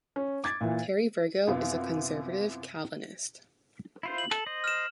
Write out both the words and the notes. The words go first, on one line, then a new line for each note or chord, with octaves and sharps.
Terry Virgo is a conservative Calvinist.
C#4
D6 G#6 A6
A#2 E3
F#2 C3 B3 E4 F4 F5
E4 F4 C5
F#7
A4
C5 D#5
F6 E7